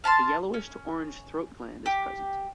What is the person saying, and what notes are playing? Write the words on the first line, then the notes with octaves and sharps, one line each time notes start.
A yellowish to orange throat gland is present.
F5 A5 B5 C6
C#4
G4